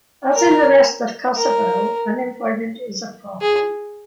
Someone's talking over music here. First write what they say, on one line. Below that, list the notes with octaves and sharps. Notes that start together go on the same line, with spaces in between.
As in the rest of Kosovo, unemployment is a problem.
A#4
A#4
G#4